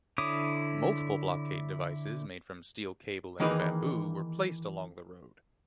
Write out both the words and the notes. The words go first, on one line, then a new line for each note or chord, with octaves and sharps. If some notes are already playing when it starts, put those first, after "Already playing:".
Multiple blockade devices made from steel cable and bamboo were placed along the road.
D3 E4 C#5 D6 D#6
D#3 E3 A#3 D#4 G#4 B4